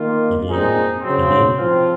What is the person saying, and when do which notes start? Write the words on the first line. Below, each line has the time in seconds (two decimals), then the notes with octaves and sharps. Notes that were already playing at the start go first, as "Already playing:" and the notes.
Mhm. Mhm.
Already playing: D#3 A#3 F4
0.47 A#2 G#3 C4 D#4
1.02 C#3 F#3 C4
1.57 F3 C4 F4